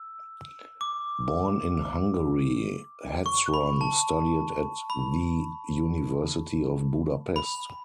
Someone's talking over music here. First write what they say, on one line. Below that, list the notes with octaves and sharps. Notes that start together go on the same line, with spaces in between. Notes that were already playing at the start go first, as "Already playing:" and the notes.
Born in Hungary, Hetzron studied at the University of Budapest.
Already playing: E6
D6
C#6
B5
A5
B5
B5